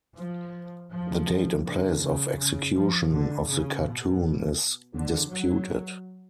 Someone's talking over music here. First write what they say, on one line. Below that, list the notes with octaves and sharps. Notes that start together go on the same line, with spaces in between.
The date and place of execution of the cartoon is disputed.
F3
F3
D3
C#3
C#3
F3
D3
C#3
B2
D3
F#3